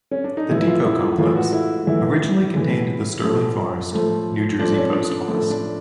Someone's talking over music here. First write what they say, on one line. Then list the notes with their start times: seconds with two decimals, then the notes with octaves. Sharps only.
The depot complex originally contained the Sterling Forest, New Jersey post office.
0.11 C#4
0.24 D4
0.37 D#4
0.50 A2 E3 G#3 E4
0.61 E4
0.67 F4
0.84 E4
1.01 F4
1.18 A2 E3 G#3 F4
1.36 F#4
1.53 E4
1.86 A2 E3 G#3 E4
2.54 A2 E3 G#3
3.24 A2 F3 A3
3.92 A2 F3 A3
4.59 A2 F3 A3 D4
4.77 C#4
4.93 D4
5.28 A2 F3 A3
5.50 D4